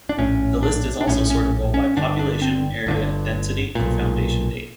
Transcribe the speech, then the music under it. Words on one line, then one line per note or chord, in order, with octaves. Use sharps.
The list is also sortable by population, area, density and foundation date.
D4
A#1 A2 C#4
D4
D4
A#1 A2 C#4
C#4
C#4
G1 G2 D3 D4
D4
C4
G1 G2 D3
B1 A#2